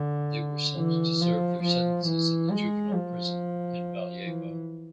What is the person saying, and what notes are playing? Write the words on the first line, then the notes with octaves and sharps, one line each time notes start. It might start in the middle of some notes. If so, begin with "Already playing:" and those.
They were sent to serve their sentences in the Juvenile Prison in Valjevo.
Already playing: D3
E3
F3
F3
E3
G#3
F3
E3